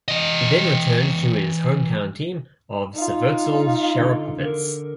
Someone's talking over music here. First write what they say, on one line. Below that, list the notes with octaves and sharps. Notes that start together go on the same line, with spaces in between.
He then returned to his hometown team of Severstal Cherepovets.
E3 D#5
D#4 F4
D3 D#5
D3 A#4